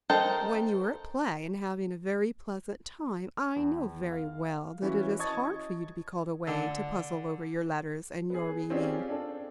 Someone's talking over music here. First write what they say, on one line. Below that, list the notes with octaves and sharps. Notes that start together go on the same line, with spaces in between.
When you are at play, and having a very pleasant time, I know very well that it is hard for you to be called away to puzzle over your letters and your reading.
A4 A#4 C5 D#5 G5
E2
F5
E3 C#4 E4 F#4
D#5 A5 C#6 D#6 G#6 A6
D3
B3 G#4
C4 C#4 F4 G4 G#4 D5
D4 A4